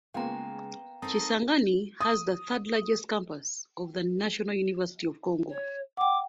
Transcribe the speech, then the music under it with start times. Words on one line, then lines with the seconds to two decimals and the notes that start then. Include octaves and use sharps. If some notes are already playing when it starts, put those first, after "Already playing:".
Kisangani has the third largest campus of the National University of Congo.
0.14 C#3 G#3 A#3 B3 F4 G5 A#5
1.02 C4 D#4 A4 A#4 D#6
2.01 D#6
5.49 C#5
5.97 F#5 G5 D6